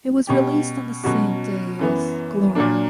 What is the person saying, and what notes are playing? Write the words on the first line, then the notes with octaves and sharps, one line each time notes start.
It was released on the same day as "Glory".
B2 G3 C#4 G4
B2 F#3 C#4 F#4
F#2 E3 B3
A#2 F#3 A#3 D4